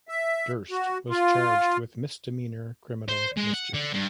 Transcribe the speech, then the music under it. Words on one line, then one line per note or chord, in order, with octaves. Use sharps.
Durst was charged with misdemeanor criminal mischief.
E5
F#4
F4
C5
G#3
F#5
D3
G2